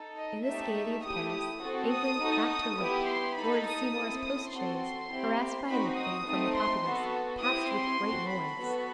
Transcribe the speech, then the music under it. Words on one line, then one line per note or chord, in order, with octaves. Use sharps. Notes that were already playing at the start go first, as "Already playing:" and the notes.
In this gayety of Paris, England cracked her whip; Lord Seymour's post-chaise, harassed by a nickname from the populace, passed with great noise.
Already playing: D#4 A4
D#5
A3 D#4 G4 E5
A3 E4 G4 D#6
D#6
C4 F#4 A4
D#6
D#4 F#4 A4
D#6
B3 E4 G4
C6
D#4 A4 B5
D#6
C4 E4 A4
D#6
C4 F#4 A4 C6
C4 E4 G4
C4 D#4 F#4 B5
D#6
A3 C4 D#4
C6
B3 F#4 A4
C4 E4 G4 D#6
C6
C4 F#4 A4
B5
B3 F#4 A4